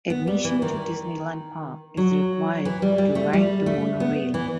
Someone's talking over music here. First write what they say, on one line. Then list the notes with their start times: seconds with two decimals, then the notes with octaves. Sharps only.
Admission to Disneyland Park is required to ride the Monorail.
0.10 B3
0.27 G3
0.44 E3
0.62 D#3
1.97 F#3
2.65 E3
2.82 G3
2.98 G3
3.15 A3
3.33 G3
3.66 A3
4.00 B3
4.34 E3